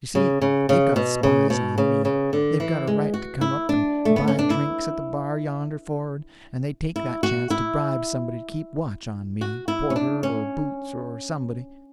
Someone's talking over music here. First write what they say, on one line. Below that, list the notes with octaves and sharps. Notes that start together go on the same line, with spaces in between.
You see, they've got spies on me. They've got a right to come up and buy drinks at the bar yonder forrard, and they take that chance to bribe somebody to keep watch on me--porter or boots or somebody.
C#3
C#3
C#3
B2
C#3
B2
C#3
C#3
D3
E3
G#3
F#4
E4
D4
A3
B3
C#4
D4
E4
E4
F#4
E4
F#4
E4
C#4
D4
C#4